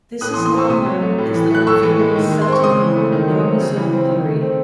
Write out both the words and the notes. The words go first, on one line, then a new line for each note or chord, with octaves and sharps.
This is now known as the Boveri-Sutton chromosome theory.
A2 D#6 F#6
C6 D#6
E3
C6 D#6
C4 C#6 E6
C3 C6 D#6
F#3
A3
A2
E3
A3 F#6
A2 C#6 E6
E3
G#3
D#3
G#3
C6
C4
C#6
C#3 C6 D#6
E3
A3
D#3
F#3
C4
C#3
E3
C4
D#3
A3
C4